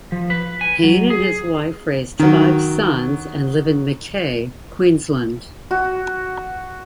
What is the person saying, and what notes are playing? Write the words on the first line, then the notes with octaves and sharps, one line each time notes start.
Payne and his wife raised five sons and live in Mackay, Queensland.
F3
B4
G#5
F#3
G#4
D#3 F#3
F#4